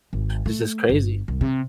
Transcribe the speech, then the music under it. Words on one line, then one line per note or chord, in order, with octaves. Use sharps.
It's just crazy.
G#1
A3
G1
C2
C3